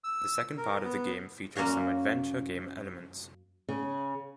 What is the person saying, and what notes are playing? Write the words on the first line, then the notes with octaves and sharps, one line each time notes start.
The second part of the game features some adventure game elements.
E6
A#4
B3
F#2 A#3 C#4 F#4 F5
C#3